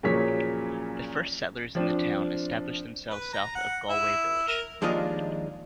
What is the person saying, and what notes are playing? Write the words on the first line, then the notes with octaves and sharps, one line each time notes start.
The first settlers in the town established themselves south of Galway village.
A#2 C#3 F3 F#3 C#5 B6
F3 C4 D4
B4
A#5
F#5
E4
A#4
D#2 F3 G#3 D4 F4 D#5